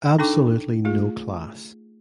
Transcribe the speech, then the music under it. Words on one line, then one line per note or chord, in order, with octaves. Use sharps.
Absolutely no class.
D4 D#4 A4 G5 C#6 D6
A3 F4 G#4